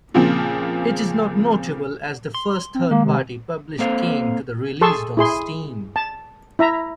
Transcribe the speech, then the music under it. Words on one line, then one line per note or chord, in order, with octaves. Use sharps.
It is notable as the first third-party published game to be released on Steam.
A#2 C#3 F3 C4
C6
C4
D#3 G#3 A#3
C3
A#3 C4 A4 C5 F5
G#4 A4 A5 C6 C#6 E6
E4 G#4 C6
A5
E4 E5 A#5